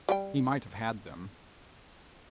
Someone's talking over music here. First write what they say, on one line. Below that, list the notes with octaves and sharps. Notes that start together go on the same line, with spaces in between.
He might have had them.
G3 G4 G5